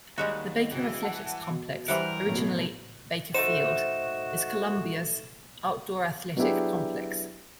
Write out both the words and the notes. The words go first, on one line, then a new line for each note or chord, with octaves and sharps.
The Baker Athletics Complex, originally Baker Field, is Columbia's outdoor athletic complex.
D#2 G3 G#3 F#4
C#2 B2 E3
F#5 A5
B2
E3 G3 A#4 C5 E5 F#5
A1 B2 F#3 A3
A3 D#4 F#4 C5 E7
F#3 B3 D4 E4 G4 G#4